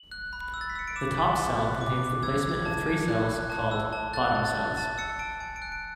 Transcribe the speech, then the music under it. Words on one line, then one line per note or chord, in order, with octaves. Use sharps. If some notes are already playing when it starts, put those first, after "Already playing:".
The top cell contains the placement of three cells called "bottom cells".
Already playing: F#7
F#6
B5
E6
A6
B6
E6 C#7
D7
D6 E7
G#5
G#5
F#6
D6
D6
E6 G#6
E6
G#6
A5
G#5
F#6
F#6
A5
E6
A5
F#6 A6
A5
A6
A5
A5 A6
E6 C#7
A5 D7
G#5 D7
D7
F#6
D7